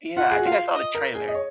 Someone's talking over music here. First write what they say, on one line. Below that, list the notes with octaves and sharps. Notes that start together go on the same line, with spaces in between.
Yeah, I think I saw the trailer.
F4 F#5
G#4
F#4
F4 F5
D#5
A#4
G#4
D#5
C#5